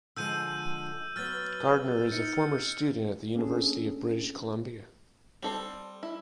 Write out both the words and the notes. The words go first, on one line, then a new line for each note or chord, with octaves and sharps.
Gardiner is a former student at the University of British Columbia.
D3 F3 G#3 E6 G6 D#7
F#3 B3 F6 A6
D#4 C#7
A#3 B3 C#4 D4 G#4 A4
G3 C4 A4 C5
E4